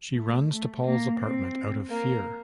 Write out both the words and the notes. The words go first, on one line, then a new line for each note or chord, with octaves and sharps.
She runs to Paul's apartment out of fear.
A3
A3
A#3
C4
A#3